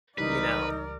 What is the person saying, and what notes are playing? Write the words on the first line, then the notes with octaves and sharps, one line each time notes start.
you know,
C#2 E3 G3 D#4 A#4 B4 D5